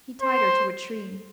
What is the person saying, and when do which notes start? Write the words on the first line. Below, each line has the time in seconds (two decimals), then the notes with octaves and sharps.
He tied her to a tree.
0.22 C5